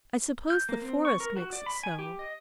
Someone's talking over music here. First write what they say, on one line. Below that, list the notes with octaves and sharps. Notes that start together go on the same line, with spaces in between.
I suppose the forest makes it so.
G6
A#3
C4
C#6
A#4
F#4
D5
B5
G#5
G4
D#5